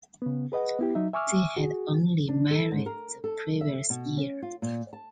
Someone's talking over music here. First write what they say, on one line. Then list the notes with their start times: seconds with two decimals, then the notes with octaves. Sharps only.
They had only married the previous year.
0.22 C#3 B3
0.52 G#4 B4 D#5 F#5
0.79 B3 E4 G4
0.95 F#3 D#4 E5
1.13 E5 G#5 C#6 D6 E6 F6
1.57 F#4 G#4
2.28 D4
2.51 A4
2.71 G#2
2.86 A#4
3.24 A4
3.61 E5
3.90 B2
4.17 C#4
4.42 F4
4.62 A#2
4.93 A5